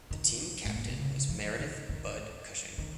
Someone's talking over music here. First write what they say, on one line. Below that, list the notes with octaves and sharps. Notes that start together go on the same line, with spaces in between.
The team captain was Meredith "Bud" Cushing.
D#3
G#2
A#2
B2
C#3
F3
D#3
D#3
D#3